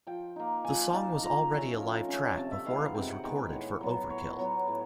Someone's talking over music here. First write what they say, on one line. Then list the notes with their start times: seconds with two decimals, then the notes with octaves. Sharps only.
The song was already a live track before it was recorded for "Overkill".
0.07 F3 G5
0.36 A#3 D#4
0.65 F3 G#5
0.93 A#3 D#4 A5
1.22 F3 A#5
1.51 A3 C#4
1.80 F3
2.08 A3 C#4
2.37 C3 A5
2.51 E5
2.66 D#3 G#3 B3 F5
2.80 F#5
2.94 C3 G5
3.09 F#5
3.23 D#3 G#3 B3 G5
3.52 A2 F#5
3.81 F#3 B3
4.09 A2 C#5
4.39 F#3 B3
4.68 A2